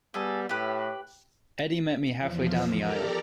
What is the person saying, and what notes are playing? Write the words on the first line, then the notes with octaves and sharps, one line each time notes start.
Eddie met me halfway down the aisle.
G3 B3 G#4 A4
A2 G4 B4
E2 F3
G4 A4 A#4 D5 A#5